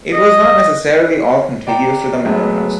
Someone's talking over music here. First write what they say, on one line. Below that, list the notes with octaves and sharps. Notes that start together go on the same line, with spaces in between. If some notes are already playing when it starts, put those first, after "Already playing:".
It was not necessarily all contiguous to the manor house.
D#5
D5 G5 A#5
F#3 G#3 A3 B3